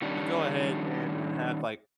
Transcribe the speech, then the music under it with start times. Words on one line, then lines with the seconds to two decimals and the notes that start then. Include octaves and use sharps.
You go ahead and, uh, have, like
0.02 D#3 G3 C#4 D4